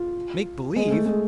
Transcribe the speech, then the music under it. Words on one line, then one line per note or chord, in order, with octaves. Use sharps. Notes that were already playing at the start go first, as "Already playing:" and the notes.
"Make believe!"
Already playing: F4
G#3
A3
G#3